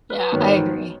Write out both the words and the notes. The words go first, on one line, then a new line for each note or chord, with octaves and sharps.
Yeah, I agree.
B4
G#2 D#3 F#3 B3 C#5